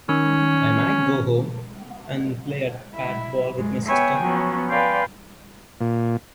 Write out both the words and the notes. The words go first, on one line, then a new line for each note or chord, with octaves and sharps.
I might go home, and play at patball with my sister.
D#3 C#4
E4
F#2 G#3
B3 B4 C#5 E5 G5 G#5
F3 F#3 B3 C#4
B4 D5 F5 G5 G#5 C6
A#2